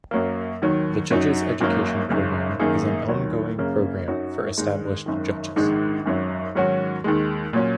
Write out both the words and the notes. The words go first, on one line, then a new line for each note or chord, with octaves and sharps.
The judges education program is an ongoing program for established judges.
F#2 F#3 A#3
D#2 D#3 F#3
F#2 F#3 D#4 F#4
G#1 F#2 F#3 A#3
G#1 F#2 C#3
F#2 D#3 A#3 D#4 G#4
D#2 D#3 F#3
F#2 C#3 A#3 C#4
F#2 F#3 D#4 F#4
G#2 D#3 G#3 D#4
G#1 F#2 D#3
A#1 G#2 D#3 G#3 D#4
G#1 F#2 F#3
G#2 D#3 F#3 C#4 F#4
D#2 D#3 G#3
A#2 F#3 C#4